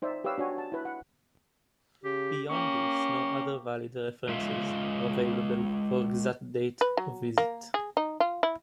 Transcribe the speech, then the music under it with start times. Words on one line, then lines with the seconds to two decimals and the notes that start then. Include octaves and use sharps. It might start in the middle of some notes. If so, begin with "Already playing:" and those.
Beyond this no other valid references are available for exact date of visit.
0.02 D#4 C5 D5 E5
0.24 G4 B4 C#5 F5 E6
0.38 D4 F#4 C#5 G#5
0.58 A5
0.72 E4 B4
0.85 F#5
2.04 C#3 G4
2.50 A#3 C#4 G4 C#6
4.29 G#3 F4 E5 F5
6.81 B4
6.97 F#3
7.38 A#3
7.74 G#4
7.97 D#4
8.20 F4
8.43 E4